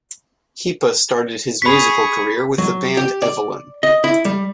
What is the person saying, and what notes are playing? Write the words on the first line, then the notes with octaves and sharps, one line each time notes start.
Hipa started his musical career with the band Evelynn.
G#4 B5 C#6 B6
F#3
G4
D5
D#5
E4
G3